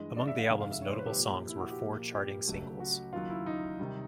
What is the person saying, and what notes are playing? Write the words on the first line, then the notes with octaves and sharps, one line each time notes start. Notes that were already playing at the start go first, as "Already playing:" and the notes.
Among the album's notable songs were four charting singles.
Already playing: G2 E3 G#3 D#5
D5
E5
F5
F2 C3 D#3 G#3 F5
F5
E5
C#5
C5
B4
G4
A#2 F3 A#3
E4
F#4
G4
A#2 F3 A#3
G4
C#2 C#3 F#3 A3
F#4
D#2 C#3 F#3 F4
E4
D#4
C3 D#3 G3